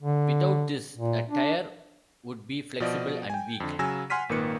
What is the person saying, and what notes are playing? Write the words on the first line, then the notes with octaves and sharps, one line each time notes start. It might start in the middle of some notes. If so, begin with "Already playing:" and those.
Without this, a tire would be flexible and weak.
D3
A#2
D4
B2 F3 D5 D#5
G5 G#5
F2 D3
C#3 F#3 G#5 E6 A#6
F#5 G#5 C6 F6 B6 D#7
G#1 A#2 D#3 A#3 B4 C#7